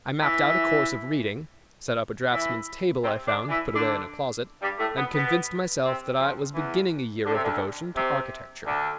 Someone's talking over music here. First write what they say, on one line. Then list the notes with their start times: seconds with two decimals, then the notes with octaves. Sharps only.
I mapped out a course of reading, set up a draftsman’s table I found put away in a closet, and convinced myself that I was beginning a year of devotion to architecture.
0.20 E3 E4
2.32 E3 E4
3.02 C3 C4
3.26 D3 D4
3.49 E3 E4
3.73 D3 D4
4.61 G2 G3
4.78 A2 A3
4.96 B2 B3
5.13 B2 B3
5.84 C3 C4
6.19 F2 F3
6.54 E2 E3
7.25 D3
7.33 C3
7.42 D2 D3
7.95 C3
8.66 D2 D3